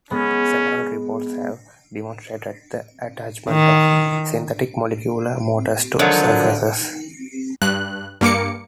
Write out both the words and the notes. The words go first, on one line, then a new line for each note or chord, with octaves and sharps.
Several reports have demonstrated the attachment of synthetic molecular motors to surfaces.
G#3 B3 C#4
D#3
D3 D#3 F3 F#3
G2 F#6
G2 A#3 D6 C#7